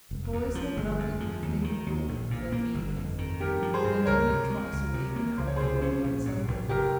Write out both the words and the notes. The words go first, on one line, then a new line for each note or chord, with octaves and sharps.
The boys had nothing but thin gruel for their meals, with an onion twice a week and half a roll on Sundays.
F1
D#2
F3
G1 G#3
F2
F3
D#2
D#3
D#2
A#1
A#2
A#3
G1
F2
D#3
G2 G4 A#4
F3
G#4 C5
G2
C#2 A#4 C#5
C3
G#3
C#2
C3
A#3
C#2 C5
C#5
C3 G#4 C5
C#4
A#1
G#2
A#1
F1 G4 A#4